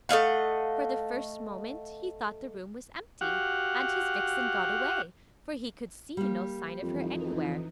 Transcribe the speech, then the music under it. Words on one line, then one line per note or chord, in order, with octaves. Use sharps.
For the first moment he thought the room was empty, and his vixen got away, for he could see no sign of her anywhere.
A3 D#5 F5 F#5
F#4 G4 F5 F#5
G3 A#3
F2 E3 D#4